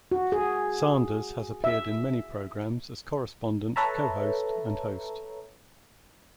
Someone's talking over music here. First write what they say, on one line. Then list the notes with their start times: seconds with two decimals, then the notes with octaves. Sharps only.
Sanders has appeared in many programs as correspondent, co-host, and host.
0.12 F#4
0.32 G#4
1.64 E5
3.76 A4 B4 C#5 E5 A5 A#5